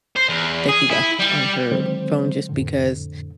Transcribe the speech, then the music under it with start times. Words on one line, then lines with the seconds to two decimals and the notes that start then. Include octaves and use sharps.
that he left on her phone just because
0.16 C5
0.29 E2
0.69 G#4
0.91 E4
1.20 G3
1.72 D3 D#3 F#3 G#3 C4 C5
2.49 F2 A2 D3